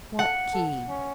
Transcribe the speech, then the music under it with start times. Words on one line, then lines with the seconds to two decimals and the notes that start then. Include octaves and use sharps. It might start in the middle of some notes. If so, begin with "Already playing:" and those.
"What key?"
0.19 A4 F#5
0.53 A4
0.89 C#4